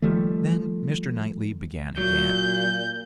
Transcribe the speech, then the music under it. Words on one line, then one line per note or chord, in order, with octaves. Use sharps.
Then Mr. Knightley began again.
D#3 F3 G3 A3
A#2 F#3 G6